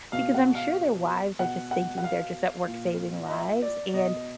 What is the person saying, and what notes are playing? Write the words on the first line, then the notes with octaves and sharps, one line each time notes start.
because I'm sure their wives are just thinking they're just at work saving lives, and,
B2 F5
F#5
F5
B2 F#5
F#5
F#5
F5
A#2
D#5
E5
D5
B2 D#5